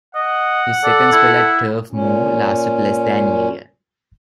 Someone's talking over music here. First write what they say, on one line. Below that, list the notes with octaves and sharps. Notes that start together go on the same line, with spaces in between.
His second spell at Turf Moor lasted less than a year.
D#5 F#5
A4 D5
E4
A#2 C#4